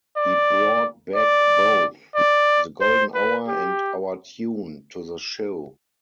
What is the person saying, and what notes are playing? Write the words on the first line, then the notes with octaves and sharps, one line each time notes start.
He brought back both "The Golden Hour" and "Our Tune" to the show.
D5
D5
D5
C5
B4
G4